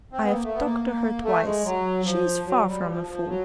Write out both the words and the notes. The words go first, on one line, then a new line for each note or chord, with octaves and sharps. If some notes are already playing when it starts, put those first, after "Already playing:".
I've talked to her twice, she is far from a fool.
C4
B3
A#3
A3
B3
A#3
A#3
A3
G#3
F#3
F3
F#3
G3
F3
F3
F#3